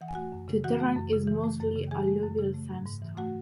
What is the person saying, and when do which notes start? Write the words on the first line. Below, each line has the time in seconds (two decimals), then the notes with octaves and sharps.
The terrain is mostly alluvial sandstone.
0.01 E3 F#5
0.08 G#5
0.15 A3 F#4 F#5
0.32 F#2
0.48 C#3
0.64 E3 F#4 F#5
0.80 A3
0.96 F#2
1.13 C#3
1.27 E3
1.44 A3
1.60 F#2
1.76 C#3
1.91 E3 G#4 G#5
2.08 A3
2.23 F#2
2.38 C#3
2.54 A3
2.71 G#2
2.86 G#2
3.02 E3
3.17 A3 F#4 F#5